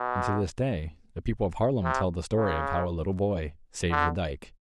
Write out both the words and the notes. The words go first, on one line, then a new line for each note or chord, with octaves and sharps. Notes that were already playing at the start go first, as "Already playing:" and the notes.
And to this day the people of Haarlem tell the story of how a little boy saved the dike.
Already playing: B2
C3
C#3
D3